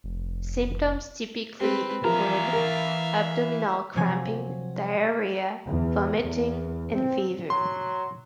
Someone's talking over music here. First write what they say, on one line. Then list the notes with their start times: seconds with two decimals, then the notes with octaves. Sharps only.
Symptoms typically include abdominal cramping, diarrhea, vomiting, and fever.
0.04 F1
1.60 G3 C4 B4
2.04 E3 F3 A#4 E5 F5 A#5
2.53 A#4
3.96 C3 F3 F#3 G#5
5.66 E2
6.18 E2
6.93 C4
7.50 F#3 C6